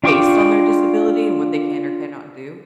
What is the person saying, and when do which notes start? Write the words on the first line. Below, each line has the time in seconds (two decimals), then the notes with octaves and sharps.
based on their disability and what they can or cannot do.
0.04 D4 F4 G5 C#6 D6